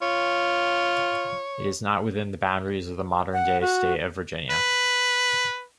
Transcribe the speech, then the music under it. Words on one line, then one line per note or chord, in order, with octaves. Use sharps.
It is not within the boundaries of the modern-day state of Virginia.
F4 C#5
F#5
F#4
B4